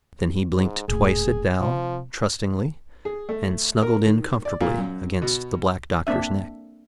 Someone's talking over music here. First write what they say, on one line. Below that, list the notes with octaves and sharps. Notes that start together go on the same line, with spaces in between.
Then he blinked twice at Dal, trustingly, and snuggled in comfortably against the Black Doctor's neck.
G#2
D#1 A2 G#4
C3 F3
G#4
A3
A#4
D#3
D5
A#2
F#2
B2
A#3 C4 D4 E5